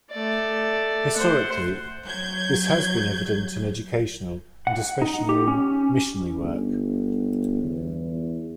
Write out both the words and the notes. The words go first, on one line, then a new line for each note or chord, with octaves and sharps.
Historically, this has been evident in educational and especially missionary work.
A3 D5
C5 F#5
F#3 G6 G#6
F#5
D#4
G4
C#4
G1
E2